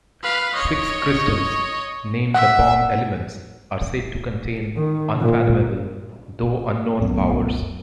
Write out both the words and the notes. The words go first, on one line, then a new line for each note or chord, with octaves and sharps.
Six crystals, named the "Bomb Elements," are said to contain unfathomable, though unknown, powers.
B4 F5
C#5 D#5
E5 F#5
D#3
A#2
C2 F#2 A#2 F#3 A3 B3